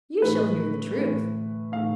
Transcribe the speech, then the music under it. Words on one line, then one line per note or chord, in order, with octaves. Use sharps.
You shall hear the truth.
A2 E3 A3 B4
A2 E3 A3
A2 E3 A3 F5